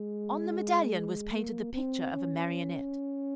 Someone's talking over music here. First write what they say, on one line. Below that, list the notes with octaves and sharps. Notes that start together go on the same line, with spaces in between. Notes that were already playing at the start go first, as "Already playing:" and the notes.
On the medallion was painted the picture of a Marionette.
Already playing: G#3
A#3
C4
C#4